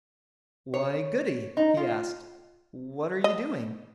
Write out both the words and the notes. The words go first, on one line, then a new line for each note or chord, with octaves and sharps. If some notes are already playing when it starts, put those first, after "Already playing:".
'Why, Goody!' he asked, 'what are you doing?'
C#5
D#4
F4
D#5